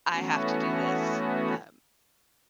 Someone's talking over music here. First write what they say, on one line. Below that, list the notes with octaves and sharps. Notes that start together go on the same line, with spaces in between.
I have to do this. Um,
E3 A3 B3 C#4 F#4